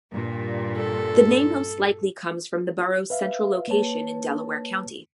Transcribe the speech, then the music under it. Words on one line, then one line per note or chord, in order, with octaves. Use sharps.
The name most likely comes from the borough's central location in Delaware County.
G2 A#2
A4
B4 E5 F5
A#3 B4 C#5 A5